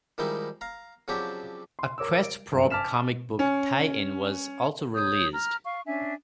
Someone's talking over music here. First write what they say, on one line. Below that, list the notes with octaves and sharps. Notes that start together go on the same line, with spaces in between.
A "Questprobe" comic book tie-in was also released.
D#3 F3 G3 G#3 D#4 E4
F5 A#5
C#3 F3 F#3 C4 D4 G4
C6
A#4 C#5 D6 E6
D7
G1 F#2
G#5 A5 D6 F6 B6 E7
C#4
C#5 D#6 G6
A#5 F6
F5 C#6
C#4 D4 E5 G#5